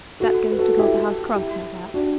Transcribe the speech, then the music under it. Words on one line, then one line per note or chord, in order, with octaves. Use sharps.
That goes to Copperhouse Cross, no doubt.
F#4 A4
B4
F#4 A4
E4 G4
E4 G4
D4 F#4